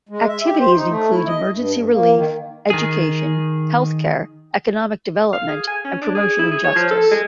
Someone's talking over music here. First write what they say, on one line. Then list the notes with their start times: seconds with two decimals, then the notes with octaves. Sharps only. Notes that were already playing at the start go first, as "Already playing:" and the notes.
Activities include: emergency relief, education, health care, economic development, and promotion of justice.
0.09 G#3
0.28 E5
0.44 G4
0.59 C5
0.75 D#4
0.88 A3
1.11 E4
1.27 D#5
1.49 G2
1.73 G2
1.90 A#3
2.14 D#3
2.70 D#3 G#4
5.33 F5
5.48 G#4
5.67 G#5
5.85 C#4
6.01 D4
6.15 G#4
6.39 E4
6.51 G#4
6.64 C#5
6.76 F3
6.91 A4
7.11 G#3